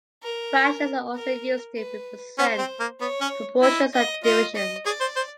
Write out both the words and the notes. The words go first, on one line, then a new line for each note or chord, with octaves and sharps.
Fractions are also used to represent proportions and divisions.
A#4
A#4
B4
C#4 C5
C4
A#3
B3 C#5
C#4
E4 D#5
D#5
F4 D#5
D#5
G#4 D5
C5
C5